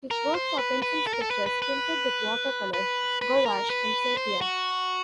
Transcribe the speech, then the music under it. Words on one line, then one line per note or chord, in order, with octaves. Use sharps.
His works are pencil sketches tinted with watercolour, gouache and sepia.
A#4
C5
B4
B4
A4
A#4
A4
B4
B4
B4
B4
B4
A#4
B4
C5
F#4